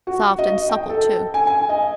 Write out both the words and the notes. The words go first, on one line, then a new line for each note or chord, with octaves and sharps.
Soft and supple too.
F#4
D#5
G5
A4
G#5
G#5
D#5